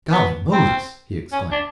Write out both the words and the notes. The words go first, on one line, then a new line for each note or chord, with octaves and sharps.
"Golly Moses!" he exclaimed.
B3
C4
C#4
D4